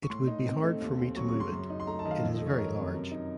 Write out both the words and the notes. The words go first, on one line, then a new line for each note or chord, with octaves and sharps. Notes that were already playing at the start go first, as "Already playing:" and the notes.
It would be hard for me to move it. It is very large.
C#6
A2 C6
D#4
C4
A3
D#2
C4
F#3 C#6
C#6
C#3
C6
F#2
D#4
C6
A3 A#5
A5
D#3 D#5
F5
F2
D#5
A3
C#5
D#3 A#4
C3
F#2
D#4